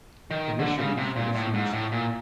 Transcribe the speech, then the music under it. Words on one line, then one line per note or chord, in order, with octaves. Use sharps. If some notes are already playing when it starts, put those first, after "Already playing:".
Initially he refused.
D#3
D3
C#3
C3
A#2
A2
G#2
A2
A#2